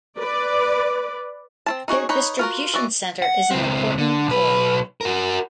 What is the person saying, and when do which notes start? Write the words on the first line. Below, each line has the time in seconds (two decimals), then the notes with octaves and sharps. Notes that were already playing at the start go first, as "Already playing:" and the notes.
Their distribution centre is an important employer.
0.19 B4 D5
1.66 C4 F4 A5
1.88 D#4 F#4 G#4 C#5
2.09 D#4 B4 C#5
2.39 F4 F#4 A#4
2.74 E3 F#4 D5 D#5
3.22 F#5
3.51 C#2 C4
3.98 D3
4.27 B1 B4
5.01 F#4 A#4